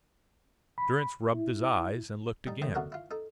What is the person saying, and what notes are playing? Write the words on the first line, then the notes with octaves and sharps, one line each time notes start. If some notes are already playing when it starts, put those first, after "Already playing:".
Durrance rubbed his eyes and looked again.
B5
E4
G3 D#4
D#2 D#3 A3 D#4 D#5
B2 D3 A3 F#4 A#4
E4 F4
D#4 A4